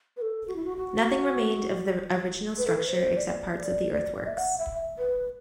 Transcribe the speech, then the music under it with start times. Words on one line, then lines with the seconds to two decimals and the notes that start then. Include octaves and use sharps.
Nothing remained of the original structure except parts of the earthworks.
0.17 B4
0.21 A4
0.48 F#4
0.56 E4
0.64 F#4
0.77 F#4
2.58 B4
2.67 A4
2.77 B4
2.87 C5
3.17 D5
4.27 E5
4.38 F#5
4.58 E5
4.98 B4